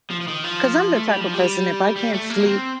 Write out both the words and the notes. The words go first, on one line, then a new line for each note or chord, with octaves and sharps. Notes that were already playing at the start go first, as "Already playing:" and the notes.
'cause I'm the type of person, if I can't sleep
F3
F3
D#3
F3
A3
G3
F3
G3
G3
A3
A#3
C4